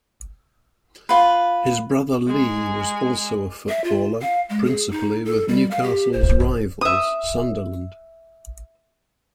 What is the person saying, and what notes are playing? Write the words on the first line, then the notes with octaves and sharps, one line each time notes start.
His brother Lee was also a footballer, principally with Newcastle's rivals Sunderland.
F4 B4
G#3 G#5
E5
F4
F5
G#3
G#4
D#4
A4
G3
F5
G4
C5
E5 D#6